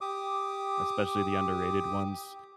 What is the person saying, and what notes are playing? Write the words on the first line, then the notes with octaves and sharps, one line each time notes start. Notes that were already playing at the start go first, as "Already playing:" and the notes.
especially the underrated ones.
G4 D6 D#6